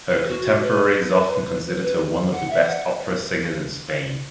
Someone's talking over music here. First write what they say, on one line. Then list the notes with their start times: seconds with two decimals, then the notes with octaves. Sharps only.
Her contemporaries often considered her one of the best opera singers in Spain.
0.10 B4
0.28 F#4
0.45 F#4
0.62 B4
1.82 B4
2.33 F#5
2.51 E5
2.68 F#5